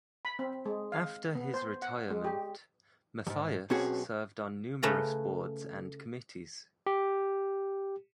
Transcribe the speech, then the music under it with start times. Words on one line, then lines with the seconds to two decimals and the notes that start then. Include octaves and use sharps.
After his retirement, Mathias served on numerous boards and committees.
0.25 B5
0.39 C4
0.66 G#3
0.92 F5
1.35 B3
1.54 C5
1.82 F#5
2.10 G#3
2.24 G4
3.27 E2 G#2
3.70 B1 C4 C#4 F#4 G#4
4.83 C#3 A3 C#4 B4 A#5
6.87 G4